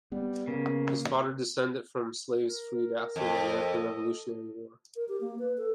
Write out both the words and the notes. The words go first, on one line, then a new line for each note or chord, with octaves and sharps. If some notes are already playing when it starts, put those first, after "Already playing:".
His father was descended from slaves freed after the American Revolutionary War.
G3 B3
C#3 A#3
A#4
F2 A4 D#5
A#4
G4
A#3
B4
A4